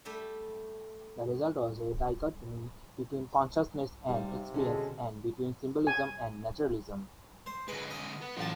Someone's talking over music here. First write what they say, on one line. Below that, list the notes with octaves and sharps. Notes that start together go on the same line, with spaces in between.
The result was a dichotomy between consciousness and experience and between symbolism and naturalism.
G3 A3 G4 E5
C3 G3 D#4 G4 F5
B2 D3 G#3 C#4 F#4 A4
G#5
C5
D3 G#3 B4
D#5
B3
A1 A2 F#3 F4 A5